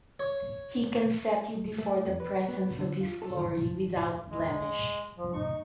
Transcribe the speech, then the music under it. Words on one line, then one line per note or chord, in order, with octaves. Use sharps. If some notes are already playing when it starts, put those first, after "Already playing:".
He can set you before the presence of his glory without blemish.
C#5
A3
F2
B4
B3
D3
F4
A4
D#3
F3
G#3
F3
D#4 C#6